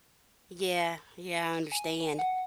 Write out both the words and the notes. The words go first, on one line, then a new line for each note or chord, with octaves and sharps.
Yeah, yeah, I understand.
G#5
F#5